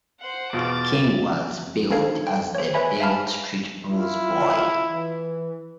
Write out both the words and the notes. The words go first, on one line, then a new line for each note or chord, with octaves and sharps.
King was billed as the Beale Street Blues Boy.
C5 F#5
E2 B2 F4 D6 A6
D4 D#4 A4 C5 F5 G#6
G5
C5 C#5
B4 C#5 E5 G#5 B5
E5 F5 G#5 A5 B5 F6
E4 F4
E3